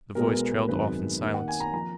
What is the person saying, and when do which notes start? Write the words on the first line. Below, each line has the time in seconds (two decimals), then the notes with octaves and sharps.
The voice trailed off in silence.
0.15 B1 B2 G#3 B3 A#4
0.68 G#1 F#2 D#3 G#3 B3 B4
1.21 D#2 D#3 A#3
1.34 F#5
1.48 G#5
1.60 A#5
1.73 F3 A#3 A#5